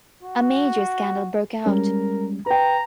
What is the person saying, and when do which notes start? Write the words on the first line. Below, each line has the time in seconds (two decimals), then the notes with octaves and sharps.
A major scandal broke out.
0.23 F#4
1.66 G3 G#3 C#4 A#4
2.46 B4 G5 A#5